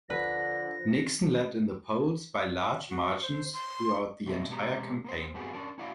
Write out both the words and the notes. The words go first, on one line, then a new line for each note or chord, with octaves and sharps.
Nixon led in the polls by large margins throughout the entire campaign.
D3 F3 B4 A#6
F#4
C5
C6
B2 G3 B3 D4 D#5 E5
B2 G#3 B3 G4 A#5
A#3 B3 C5
G2 B3 C4 F#4 G#4
C#4 D4 A#4
C#4 E4 F#4 D5 F5